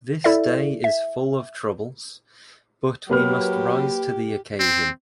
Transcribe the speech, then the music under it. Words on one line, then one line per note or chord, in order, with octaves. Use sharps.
This day is full of troubles, but we must rise to the occasion.
E4 A4 D5 E5
E5
F#3 A#3 G4 B4 F6
C4